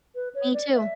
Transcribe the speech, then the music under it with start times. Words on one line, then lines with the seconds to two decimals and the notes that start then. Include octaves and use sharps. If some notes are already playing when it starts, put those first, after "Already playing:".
Me, too.
0.15 B4
0.35 C#5
0.54 D5
0.74 E5